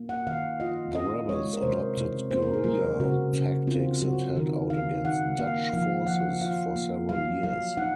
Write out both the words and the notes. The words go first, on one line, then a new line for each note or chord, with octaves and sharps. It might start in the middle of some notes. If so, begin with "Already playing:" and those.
The rebels adopted guerrilla tactics and held out against Dutch forces for several years.
Already playing: A#3
F#5
D#3 F5
F4 D#5
C#4 D#5
G#3 C#5
A#4
C3 C5
C3
A#3 C5
A#4
G#4
F#3 A#4
C#3 F#4
C#3
C4 F4
F#3 F#4
D#3 A#4
D#3 F5
D#4 F#5
A#3 F5
F3 F5
F3 F#5
F4 F5
A#3
F#3 F5
F#3 F5
D#4 F#5